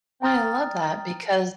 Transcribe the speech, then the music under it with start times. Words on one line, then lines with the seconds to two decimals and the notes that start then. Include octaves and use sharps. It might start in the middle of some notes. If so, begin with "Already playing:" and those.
I love that because
0.22 G5 A#5 D#6 F6 A6